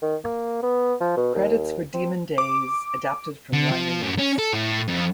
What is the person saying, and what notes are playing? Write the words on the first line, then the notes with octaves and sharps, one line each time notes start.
Credits for "Demon Days" adapted from liner notes.
D#3
A#3
B3
F3
B2
D#2
C4
D6
D3
F3
F#2
C#4
A4
A2
F2